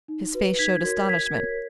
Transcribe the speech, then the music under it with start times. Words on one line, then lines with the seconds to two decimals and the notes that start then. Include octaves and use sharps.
His face showed astonishment.
0.08 D#4
0.34 F#4 B4
0.59 D#4 G#6 B6
0.84 F#4 A#4 C#5
1.08 F#4 G#6 B6
1.34 A#4 C#5